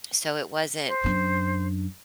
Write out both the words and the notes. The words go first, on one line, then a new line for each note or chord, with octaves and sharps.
So, it wasn't
C5
F#2 D4